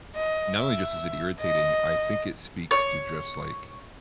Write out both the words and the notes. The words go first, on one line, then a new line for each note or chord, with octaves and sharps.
not only just is it irritating, I think it speaks to just like
D#5
E5
D#5
C#5